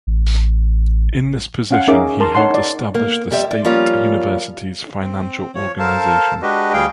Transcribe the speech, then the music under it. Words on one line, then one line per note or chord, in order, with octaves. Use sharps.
In this position he helped establish the state university's financial organization.
A1
C#4 F5 F#5
C#4 D#4 G#4 A#4 E5 D6
A#4 A5 C6
D#4 C#5 F#5 A5 C6
D#4 D5
A#3
F2 G3 G4 E5
D5
F3 G3 A#3 C#4 F4
C4
F3 C#5
A4 A#4 C5 F5 A5
G#3 D4 F#4 G4 B4 D#5
D2 G3 G#4 F5 G5